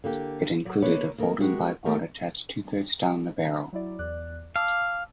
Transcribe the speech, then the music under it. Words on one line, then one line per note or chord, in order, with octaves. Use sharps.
It included a folding bipod attached two-thirds down the barrel.
D3 A#3 G4
F#3 D5
A#3 D#4 B4 C#5 D5
D#2 A#4
G#3 F#4 G4 A#4
D#2 A3 B3 G4 A#4
F#3 E4 D5
E2 D5 F#6
F5 A5 D6 E6